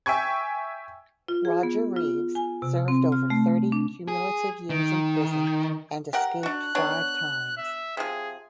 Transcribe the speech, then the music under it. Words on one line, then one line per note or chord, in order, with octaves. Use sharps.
Roger Reaves served over thirty cumulative years in prison and escaped five times.
E5 G5 G#5 C#6 G#6
F4
G#4
B3
F4
G#5
C3
C4
F6
A3
D4
G#4
D#3
G4 A#4 F#5
D4 F#4 F#6
B3 D4 C#5
E5
C3 F3 G#4